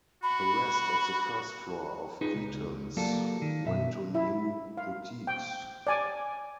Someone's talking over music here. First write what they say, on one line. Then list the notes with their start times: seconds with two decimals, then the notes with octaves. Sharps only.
The rest of the first floor of Eaton's went to new boutiques.
0.23 F#4 B5
2.21 D#4 F4 G#4 B4
2.35 C#2
2.97 F#3 G3 A#3 F4 A4
3.42 D#3
3.65 F#2 B2 E5
4.14 E4 E5
4.77 F5
5.27 G5
5.87 D5 G#5 D6